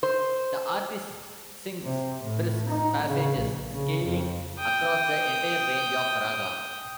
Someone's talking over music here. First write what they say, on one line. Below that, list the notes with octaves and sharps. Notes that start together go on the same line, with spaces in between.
The artist sings brisks passages scaling across the entire range of raga.
C5
C3
A2
D#4
C#3
A#1
C#3
F2
G5 D#6